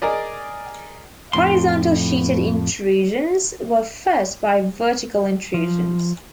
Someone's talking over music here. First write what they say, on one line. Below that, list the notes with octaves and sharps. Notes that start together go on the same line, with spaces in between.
Horizontal sheeted intrusions were fed by vertical intrusions.
G#4 A#4 D5 D#5
F2 A2 C6
F3